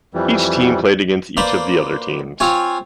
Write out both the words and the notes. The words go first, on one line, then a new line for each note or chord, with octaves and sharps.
Each team played against each of the other teams.
F2 E3 G3
A#3 B4 C5 D5
C4 F4 C#5 G#5